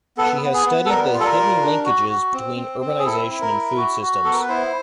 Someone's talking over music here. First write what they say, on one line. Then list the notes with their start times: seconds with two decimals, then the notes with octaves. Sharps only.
She has studied the "hidden linkages" between urbanisation and food systems.
0.17 B3 A4
0.42 B3
0.54 G#4
0.66 B3
0.85 A4
0.89 G3 A#4
1.14 F4
1.20 A4
1.25 A#4
1.37 G3
1.61 D4
1.85 F#4
2.09 F#4
2.33 C4
2.57 C4
2.81 C4
2.99 G#4
3.05 E4 A4
3.29 E4
3.41 A#4
3.53 E4
3.77 F#4
4.02 F#4
4.25 B3 A4
4.32 A#4
4.41 B4
4.49 E4 C5